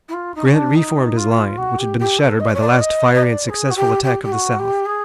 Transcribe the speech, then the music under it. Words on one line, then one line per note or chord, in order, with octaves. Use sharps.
Grant reformed his line, which had been shattered by the last fiery and successful attack of the South.
E4
F4
D#4
C#4
D4
D#4
F4
F#4
G4
G4
A4
D#5
D5
C#5
D5
D#5
D#5
D5
G#4
F#4
G4
G4
G4
F#4
G4
G#4